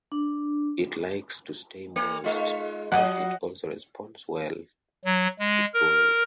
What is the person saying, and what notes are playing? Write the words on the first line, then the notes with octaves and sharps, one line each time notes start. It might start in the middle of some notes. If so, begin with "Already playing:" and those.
It likes to stay moist and it also responds well to pruning.
D4
A3
G#3 D#4 F4
F3 F#3 D#5 F#5
F#3
G#3
A#4